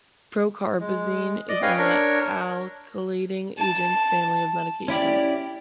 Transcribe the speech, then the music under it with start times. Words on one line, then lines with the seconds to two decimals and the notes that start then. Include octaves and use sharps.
Procarbazine is in the alkylating agents family of medication.
0.80 G#3
1.49 D5 D#5
1.62 C#4 B4 C#5 D#5 F5 G5
1.78 D4 A#4 C#5
3.58 A5
4.88 C#4 E4 G4 D5